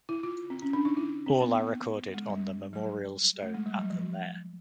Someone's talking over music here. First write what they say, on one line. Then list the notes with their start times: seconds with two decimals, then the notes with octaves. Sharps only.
All are recorded on the memorial stone at the lair.
0.09 E4
0.23 F4
0.50 C4
0.62 C#4
0.73 D4
0.85 D#4
0.97 E4
1.26 C4
1.41 B3
1.56 A#3
2.14 G#3
2.29 G3
2.73 F#3
3.42 A3
3.54 G#3
3.66 G3
3.79 F#3
3.90 F3